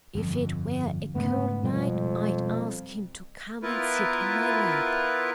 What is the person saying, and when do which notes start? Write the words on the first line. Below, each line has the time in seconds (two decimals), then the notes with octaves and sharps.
If it were a cold night I'd ask him to come and sit in my lap.
0.15 G1 F2
1.15 G#2 C#3 A3 B3
1.64 F2 B2 G3 G#3
3.63 B3 E4 F4 A#4 B4